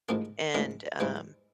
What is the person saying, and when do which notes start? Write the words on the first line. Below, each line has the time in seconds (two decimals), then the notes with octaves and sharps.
and, um,
0.09 A1 G#2 F3 A#3 C#4
0.54 A1 G#2 F3 A#3 C#4
1.00 G#2 E3 G3 C4